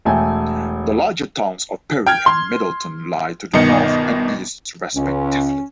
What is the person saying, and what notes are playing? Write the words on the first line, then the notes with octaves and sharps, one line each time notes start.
The larger towns of Bury and Middleton lie to the north and east respectively.
E1 A3 G5 G#5
G5 F6 G#6
C6
G1 B2 D#3 D#5 C#7
C#2 C#4